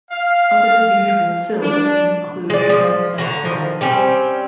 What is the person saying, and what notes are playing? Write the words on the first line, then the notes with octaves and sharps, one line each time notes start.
Other usual fills include shrimp and cod.
F5
D4
G#3 D5
F3
D3 F#4 A#5
F3
G3 C4 C#4